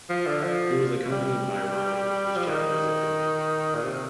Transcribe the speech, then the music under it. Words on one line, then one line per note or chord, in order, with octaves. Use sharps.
He was accompanied by Ryan, his Japanese attendant.
F3
D3
F3
G3
F3
D#3
A#2
C3